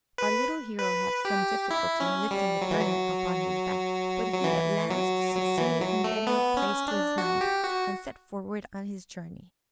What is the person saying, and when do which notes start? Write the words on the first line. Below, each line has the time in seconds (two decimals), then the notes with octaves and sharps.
Our little hero had some difficulty in lifting the burden upon his back; but he at last succeeded in getting it placed to his mind, and set forward on his journey.
0.18 B4
0.79 B4
1.25 G4
1.70 E4
2.00 C#4
2.31 G3
2.62 F#3
2.71 E3
2.81 F#3
4.34 F#3
4.44 E3
4.90 F#3
5.35 F#3
5.58 E3
5.81 F#3
6.04 A3
6.27 B3
6.57 C#4
6.88 D4
7.18 F#4
7.41 G4
7.63 F#4